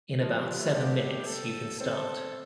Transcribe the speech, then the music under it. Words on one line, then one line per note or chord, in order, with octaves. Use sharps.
In about seven minutes you can start.
F3 F4
G3
G3
A3
B3 G4
A4
C4 A4